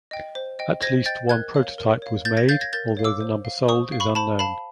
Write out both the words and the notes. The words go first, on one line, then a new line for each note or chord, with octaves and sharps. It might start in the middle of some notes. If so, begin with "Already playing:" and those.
At least one prototype was made although the number sold is unknown.
D#5 G5
C5
D#5 G5
C5 G#6 A#6
D#5 G5 G6 A6
A#4 F#6 G#6
C#5 F5
A#4
C#5 F5
A#4 G6 A6
G#6 A#6
C#5 F5 G6 A6
G#6 A#6
A#4 G6 A6
C#5 F5
D6 E6
C5
F5
C5 C#6 D#6
F5
B5 C#6
C5 A5 B5
F5 A5 B5